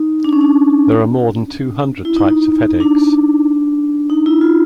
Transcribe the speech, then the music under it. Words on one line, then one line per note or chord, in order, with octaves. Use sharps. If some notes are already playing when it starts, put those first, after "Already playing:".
There are more than two hundred types of headaches.
Already playing: D#4
D4
C#4
D4
E4
D#4
D4
D#4
E4
F4